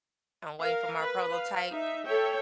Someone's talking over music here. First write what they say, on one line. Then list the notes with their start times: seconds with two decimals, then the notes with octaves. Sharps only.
I'm waiting for my prototype.
0.60 A#4 F5
1.01 B4
1.32 F5
1.70 D#4 E5
2.06 A4 C#5 E5 G5